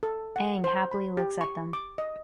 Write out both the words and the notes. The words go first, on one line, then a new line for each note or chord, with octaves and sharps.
Aang happily looks at them.
A4
F#5
C5
B5
G4
C#6
D6
D#5